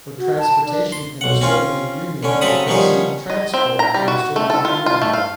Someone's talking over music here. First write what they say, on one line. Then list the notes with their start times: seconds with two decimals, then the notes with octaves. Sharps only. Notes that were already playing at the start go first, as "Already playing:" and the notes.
For transportation in the Soviet Union, see Transport in the Soviet Union.
0.18 F#4
0.38 A5
0.66 D4
0.92 C6
1.21 B1 F#5
1.41 C4 C#4 F4
2.23 D3 C#4
2.41 C#3 F#3 C4 A4 B5 D#6
2.67 D#3 F3 G3 B3 G#4 C#5
3.30 D#5
3.54 C4
3.79 A#5
3.94 G3
4.08 F#4
4.36 A3
4.50 A4
4.65 F4
4.86 F4
5.02 A3
5.13 F5